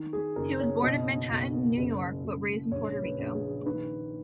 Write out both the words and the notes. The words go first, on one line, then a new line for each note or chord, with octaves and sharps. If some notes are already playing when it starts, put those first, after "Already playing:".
He was born in Manhattan, New York, but raised in Puerto Rico.
Already playing: D#3
G#4
F#1 A#4
C#5
B2 D#5
B1
F#1
F#1
A#1 C#5
C#5
B4
A#1
G#4
D#3 B4